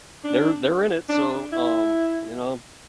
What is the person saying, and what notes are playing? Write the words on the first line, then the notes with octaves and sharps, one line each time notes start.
they're they're in it. So, um, you know?
D4
D4
E4